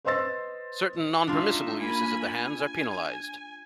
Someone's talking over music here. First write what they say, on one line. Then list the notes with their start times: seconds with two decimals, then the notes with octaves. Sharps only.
Certain non-permissible uses of the hands are penalized.
0.05 B4 C5 D#5 C6 E6 A6
1.27 G#3 D4 D#4 F4 E5
1.79 A#3 G#5 B5
2.30 G#5